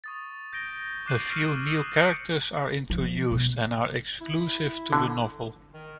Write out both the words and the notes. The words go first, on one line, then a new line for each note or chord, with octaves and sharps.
A few new characters are introduced and are exclusive to the novel.
C#6 D#6 A6
G6 A#6 D7 G7
D6 F#6 C7 D#7 E7 F#7
C#6 F6
D#6 E6
G6 A#6 C#7 D7
F3
B2
E4
D3
D#3